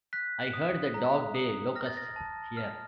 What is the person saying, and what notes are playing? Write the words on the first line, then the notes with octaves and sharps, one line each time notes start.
I heard the dog-day locust here.
F#6 B6
D#6
A#5
D#6
F6 A#6
A6
A#6
A5
F6